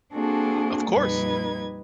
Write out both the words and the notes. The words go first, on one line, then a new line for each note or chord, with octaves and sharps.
Of course,
A#3 C4 D4 F#4 G#4 A4
F2 A#2 G3 D#4 B4 G#6